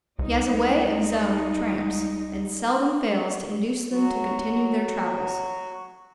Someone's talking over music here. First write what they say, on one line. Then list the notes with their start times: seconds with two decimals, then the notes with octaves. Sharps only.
He has a way of his own with tramps, and seldom fails to induce them to continue their travels.
0.19 C#2 G3 G#3 D#4
3.90 F#3 F#4